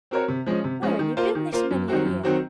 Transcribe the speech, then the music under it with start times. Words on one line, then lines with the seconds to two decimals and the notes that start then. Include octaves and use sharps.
Where han ye been this many a year?
0.11 C4 F#4 A#4 C#5
0.28 C3
0.46 F3 G#3 C#4
0.64 C3
0.82 F3 G#3 C#4
0.99 D#3
1.17 A#3 F4 C5
1.35 D#3
1.53 A#3 F4 C5
1.71 F#2
1.88 D#3 F#3 C4 F#4
2.06 F#2
2.23 D#3 F#3 C4 F#4